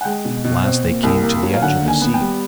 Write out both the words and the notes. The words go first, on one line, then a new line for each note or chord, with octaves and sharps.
At last they came to the edge of the sea.
F#5
G#3 G5
B2
B2
C4
A#2
C2
A#3
F#3
F5
D3 F#5
D#2
G#5
B3
G5
G3